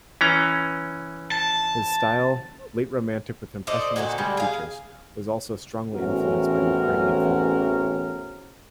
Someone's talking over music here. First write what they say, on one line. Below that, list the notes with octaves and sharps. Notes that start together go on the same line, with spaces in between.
His style, late romantic with impressionistic features, was also strongly influenced by Ukrainian folklore.
E3 C#4 A#5
A5
A4 C5 D5 D#5
A#2 D3 F#4 A4
D3 G3 G#3
G#4 F5
A1 E2 C4 C#4 F#4 A#4